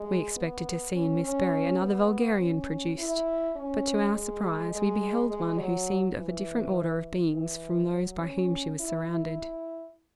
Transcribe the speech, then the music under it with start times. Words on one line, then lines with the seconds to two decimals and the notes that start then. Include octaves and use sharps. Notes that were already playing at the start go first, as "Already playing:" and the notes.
We expected to see in Miss Berry another vulgarian produced, but to our surprise, we beheld one who seemed of a different order of beings from those by whom she was surrounded.
Already playing: G#3
0.36 B3
0.94 C#4
1.24 C#4
1.81 B3
2.40 C#4
2.98 E4
3.56 C#4
4.15 G#3
4.72 G#3
5.30 G#3
5.59 F#3
6.18 E3
7.33 E3
7.92 F#3
8.21 C#4
8.79 E4
9.08 E4